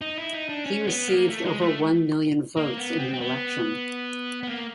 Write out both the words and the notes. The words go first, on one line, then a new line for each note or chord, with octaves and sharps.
He received over one million votes in the election.
D#4
E4
D#4
D4
C#4
B3
A#3
A3
G#3
A3
A#3
B3
C4
C4
B3
B3
A#3